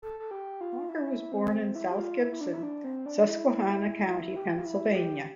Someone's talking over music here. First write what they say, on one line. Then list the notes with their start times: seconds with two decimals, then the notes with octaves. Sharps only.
Walker was born in South Gibson, Susquehanna County, Pennsylvania.
0.02 A4
0.19 A4
0.31 G4
0.61 F4
0.89 E4
1.32 C4
1.75 E4
1.91 G4
1.98 F4
2.19 E4
2.31 E4
2.41 D4
2.53 E4
2.63 D4
2.84 C4
3.06 D4
3.28 E4
4.36 G4
4.58 F4
4.65 E4
4.94 G4